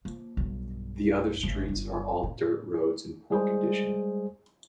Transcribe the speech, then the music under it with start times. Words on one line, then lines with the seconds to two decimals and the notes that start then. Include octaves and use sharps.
The other streets are all dirt roads in poor condition.
0.05 F3 A#3
0.37 B1 G2
1.43 G#1
1.68 G1
2.23 A2
3.30 G3 G#3 G#4 C5